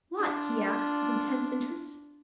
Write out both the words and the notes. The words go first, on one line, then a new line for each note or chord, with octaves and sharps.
"What?" he asked, with intense interest.
D4 F4